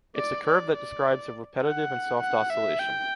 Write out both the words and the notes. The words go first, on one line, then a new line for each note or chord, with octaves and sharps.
It’s a curve that describes a repetitive and soft oscillation.
D5
D5
D5
F#5
F#5
E5
G5